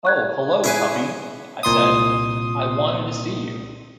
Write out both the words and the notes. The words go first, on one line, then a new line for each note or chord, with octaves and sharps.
"Oh, hullo, Tuppy," I said, "I wanted to see you."
C#6 F#6 G#6
E4 G#4 B4
C2 A#2 C6 D#6